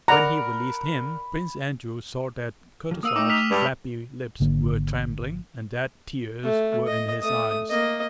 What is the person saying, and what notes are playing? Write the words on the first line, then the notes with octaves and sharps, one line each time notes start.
When he released him Prince Andrew saw that Kutuzov's flabby lips were trembling and that tears were in his eyes.
A#4 D5 F#5 A#5 B5
F2 F3
A#3 A#4 F5 D#6 E6 D#7
A3 D#4 G5 D6
F6 B6 F7
G2 G#3 B5
G#1 D3 A#3
A3
D#5
A3 D#6
A#3 D#5